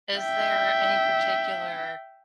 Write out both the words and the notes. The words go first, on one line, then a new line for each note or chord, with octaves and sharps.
Is there any particular
E5 G5